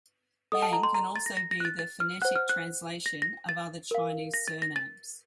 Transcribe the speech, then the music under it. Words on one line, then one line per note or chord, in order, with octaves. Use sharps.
"Yang" can also be the phonetic translation of other Chinese surnames.
A4 D#5 F#5 D#6
A5
A#5
C6
A#5
A6
A#6
A#6
A#6
F#6
A6
A6
F6
C5 F#5 F#6
F6
F#6
A#6
A#6
A6
A#4 F5
A#6
A6
A#6
A6